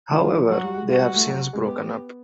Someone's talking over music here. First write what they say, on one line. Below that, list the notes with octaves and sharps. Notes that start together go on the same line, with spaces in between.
However, they have since broken up.
D#3 F4
E3
F3
F#3 F#4
G3
G#3
G3 F#4
G3
A3
F#3
G#3
B3 G4